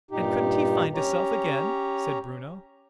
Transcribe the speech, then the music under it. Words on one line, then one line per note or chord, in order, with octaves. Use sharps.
"And couldn't he find his-self again?" said Bruno.
G2 A#2 D#4 G4
C#4 G4 C#5 A#5